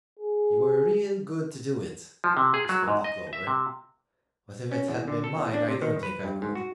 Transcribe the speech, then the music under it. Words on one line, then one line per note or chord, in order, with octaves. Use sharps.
"You were real good to do it," responded Clover; "but if it had been mine I don't think I could."
G#4
F3
C3
G#4
F#3
G#2
D#5
E5
C3
C#4
E2
D3
A4
E2
D4
C3
D#3
B4
G2
G#2
F#4